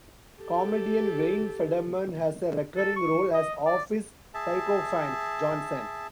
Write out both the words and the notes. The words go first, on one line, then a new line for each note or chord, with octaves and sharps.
Comedian Wayne Federman has a recurring role as office sycophant, Johnson.
G4 A4
A4
C#6
D#5
D5
G#4 E5 A5